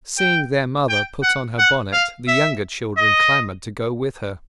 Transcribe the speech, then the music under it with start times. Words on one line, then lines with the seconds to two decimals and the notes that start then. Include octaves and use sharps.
Seeing their mother put on her bonnet, the younger children clamoured to go with her.
0.18 G5
0.89 G5
1.23 F#5
1.59 F#5
1.92 F5
2.28 E5
2.97 D#5